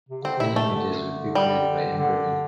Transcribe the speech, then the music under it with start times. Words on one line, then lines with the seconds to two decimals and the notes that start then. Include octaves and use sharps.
Any images would be created by engraving.
0.09 C3
0.23 D3 C4
0.37 C3 E4
0.56 A3
0.73 D3
1.35 G3
1.98 D3